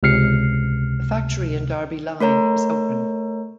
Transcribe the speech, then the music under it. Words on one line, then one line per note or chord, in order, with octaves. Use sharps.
The factory in Derby Line is open.
C#2 C3 F6 C7 C#7
A3 A#4 C#5 A#5